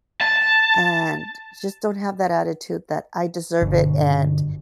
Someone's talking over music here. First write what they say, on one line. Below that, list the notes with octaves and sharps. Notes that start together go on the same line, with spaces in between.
and just don't have that attitude that, "I deserve it, and
A5
G1 B2